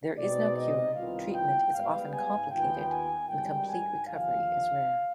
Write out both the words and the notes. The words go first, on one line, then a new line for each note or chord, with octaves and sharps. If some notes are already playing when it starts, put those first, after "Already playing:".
There is no cure, treatment is often complicated, and complete recovery is rare.
B2 G#3 C4 D#4 D5
D#5
C2 C3 D#3 B3 F4 F5
G5
G#2 G3 B3 F5
G#5
D#2 D#3 B3 F4 G5
G#5
G#1 G2 D#3 G3 G5
G#5
D#2 D3 F3 F5